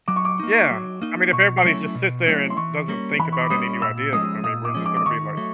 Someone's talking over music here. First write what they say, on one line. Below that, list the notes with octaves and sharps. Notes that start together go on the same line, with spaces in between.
Yeah. I mean if everybody's just sits there and doesn't think about any new ideas, I mean, we're just gonna be like
F#3 D6
C#6
D6
A#3 D#4
F#3
A#3 D#4
B2 C#6
F#3 A3 C#4 E4
B2
F#3 A3 C#4 E4
C6
E3 C#6
G3 A#3 C#4
E3 B5
C#6
D6
G3 A#3 C#4 D#6
A#2 E6
F3 G#3 C#4 D#6
A#2 D#6
D6
F3 G#3 C#4
D6
D6
D#3 C#6
F#3 A3